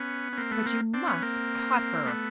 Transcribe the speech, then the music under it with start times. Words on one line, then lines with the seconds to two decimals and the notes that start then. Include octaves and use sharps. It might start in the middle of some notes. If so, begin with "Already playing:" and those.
"But you must CUT her."
Already playing: B3 C#4
0.33 C#4
0.37 A#3 C4
0.51 A3 B3
0.66 A#3 C4
0.94 C4 D4
1.08 B3 C#4
1.22 A#3 C4
2.06 A3 B3